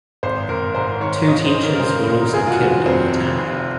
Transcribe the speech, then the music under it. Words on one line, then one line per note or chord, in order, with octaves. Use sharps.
Two teachers were also killed in the attack.
G#1 C5
G#1 A#4
G#2 C5
D#3 C#5
C#5
C#2 D#5
C5
C#3
A#4
A#4
C#3 C5
C#2 A#4
F1 G#4
F4
F#4
D#3
F2 C4
C3
F1